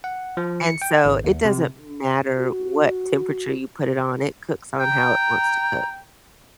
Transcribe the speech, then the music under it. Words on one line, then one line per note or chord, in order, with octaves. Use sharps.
and so, it doesn't matter what temperature you put it on. It cooks on how it wants to cook.
F#5
F3
C#7
G5
G#1
D#2
C3
F#4
G5 A#5